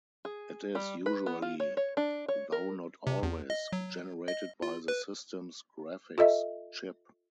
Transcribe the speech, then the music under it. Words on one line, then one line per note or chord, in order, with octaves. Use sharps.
It is usually, though not always, generated by the system's graphics chip.
G#4
G3
B4
B3
F4
C#5
C#5
D4
C#5
A#4
C3
E2
D#5
F#3
D#5
F4
B4
F4 A4 D#5 E5